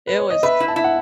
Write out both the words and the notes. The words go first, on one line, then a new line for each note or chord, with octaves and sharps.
it was
B4
C#5
D#5
B4 E5
E4
A5
E4
F#5